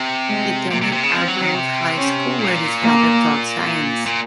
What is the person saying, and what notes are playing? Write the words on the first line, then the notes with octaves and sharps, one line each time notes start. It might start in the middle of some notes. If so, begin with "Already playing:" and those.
He attended Arbroath High School, where his father taught science.
Already playing: C3
G#3
C3 A#3
C3
C3
C#3
G#3 C4
F3
F#3
D#3
C3
C#4
A#2
A#3
A#2